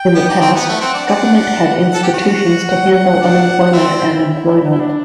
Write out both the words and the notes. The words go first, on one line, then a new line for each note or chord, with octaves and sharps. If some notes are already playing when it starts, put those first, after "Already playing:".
In the past, government had institutions to handle unemployment and employment.
Already playing: G5
B3
D4
C4
B3 F#5
A3
C4
D4
D4
A4
G4
F#4
F#5
D4
C4 E5
D5
C5
E4
E4
D4